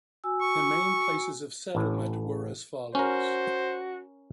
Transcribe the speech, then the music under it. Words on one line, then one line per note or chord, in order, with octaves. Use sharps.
The main places of settlement were as follows.
F#4 G#5 E6
C#6
A1 A2
C#4 F#4 A#4 C5